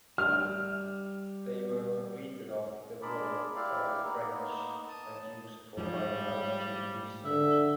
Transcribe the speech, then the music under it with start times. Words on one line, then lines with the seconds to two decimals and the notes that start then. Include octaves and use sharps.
They were completed after the war by the French and used for high-altitude research.
0.18 G3 F6
3.02 G#3 D4 G#4 A#4 D5 B5
3.55 E4 G4 D5 F5
4.03 A#3 B3 D#4
4.88 A5 D#6
5.77 G#2 F3 G3 G#3
7.25 D3 E5